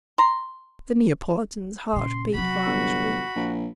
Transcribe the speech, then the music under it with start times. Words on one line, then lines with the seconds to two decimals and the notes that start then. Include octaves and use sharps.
The Neapolitan's heart beat violently.
0.18 A#5 C6
1.93 A#2 C#3 C6
2.34 C3 F#3 F#4 B5
2.66 G1
3.36 A#1